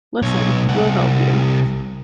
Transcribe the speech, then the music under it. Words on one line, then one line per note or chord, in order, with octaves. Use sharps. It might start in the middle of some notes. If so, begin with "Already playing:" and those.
Listen, we’ll help you.
B1 C#5
C2 F#5